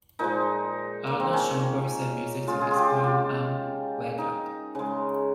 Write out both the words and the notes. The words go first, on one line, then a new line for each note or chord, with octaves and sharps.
Arnold Schoenberg set music to his poem Am Wegrand.
A#2 F3 G#3 D#4
A#3
C4
C#4
C#3 G#3 F4
G#4
F4 G4
G4
F4
D#4
C#3 G#3